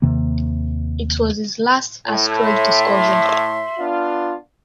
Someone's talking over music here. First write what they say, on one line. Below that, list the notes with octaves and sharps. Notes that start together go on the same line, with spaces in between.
It was his last asteroid discovery.
D#2 C3 D#3 A#3
A2
E5 C6
B3 D4 F4